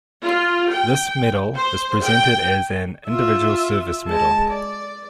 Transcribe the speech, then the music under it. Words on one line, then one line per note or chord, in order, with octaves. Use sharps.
This medal is presented as an individual service medal.
F4
G5
C5
G5
F4 E5
G#3 A5
D5